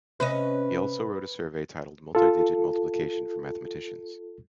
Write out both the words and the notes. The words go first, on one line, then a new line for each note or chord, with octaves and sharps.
He also wrote a survey titled "Multidigit multiplication for mathematicians".
C3 C#4 B4 D#5
F4 A4